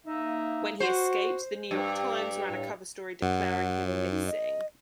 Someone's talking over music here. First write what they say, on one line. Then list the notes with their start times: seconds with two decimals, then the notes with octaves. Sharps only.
When he escaped, "The New York Times" ran a cover story declaring him missing.
0.06 A#3 D#4 E5
0.80 F#4 C5
1.71 G2 G4
2.48 A2
3.22 F#2 F#5
3.88 C#5
4.11 D#4
4.27 D#5